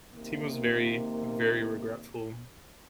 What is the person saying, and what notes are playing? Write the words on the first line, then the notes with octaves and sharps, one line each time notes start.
Temu's very, very regretful,
C3 D#3 A#3